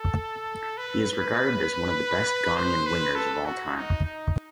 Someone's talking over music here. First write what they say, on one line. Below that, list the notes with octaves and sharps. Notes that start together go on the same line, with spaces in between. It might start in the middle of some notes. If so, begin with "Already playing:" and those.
He is regarded as one of the best Ghanaian wingers of all time.
Already playing: A4
B4
C5
B4
A4
F#4
D#4
D#4